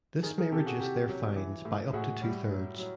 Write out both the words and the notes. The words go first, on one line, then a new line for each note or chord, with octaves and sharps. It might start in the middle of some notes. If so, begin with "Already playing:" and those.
This may reduce their fines by up to two thirds.
D#3 G#4 A#4
G#4 A#4
C3 G4 A4
F#4 G#4
C3 G4 A4
F#3
E3
A2
A2 F#4 G#4
G3
F#3
F#3